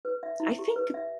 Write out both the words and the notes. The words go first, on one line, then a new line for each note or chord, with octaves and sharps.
I think,
B4
E5
E4
G4
B4
E5